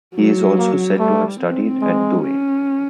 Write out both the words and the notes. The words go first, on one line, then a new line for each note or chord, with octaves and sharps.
He is also said to have studied at Douay.
F#3
A#3
G3 A3
C4
G#3
C#4